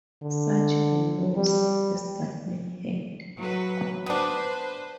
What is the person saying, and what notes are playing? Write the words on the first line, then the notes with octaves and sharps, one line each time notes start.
Such a nose as that man had!
D3
G3
F#3 B4
B3 D4 B4 C5